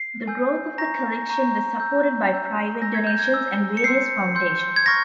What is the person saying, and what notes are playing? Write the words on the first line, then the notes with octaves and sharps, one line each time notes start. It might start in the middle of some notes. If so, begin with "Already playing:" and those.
The growth of the collection was supported by private donations and various foundations.
Already playing: C7
G#5 E6 G6
A#5 C#6 G6 A#6
A#5 C#6 G6
A#5 E6 G6
A#5 E6 G6
G#5 E6 G6 A#6
G#6
G6
G#6
G#5 E6 G6
C#7
C6 E6 G6 C7
C6 E6 G6
G#6
A#5 C#6 F6 A#6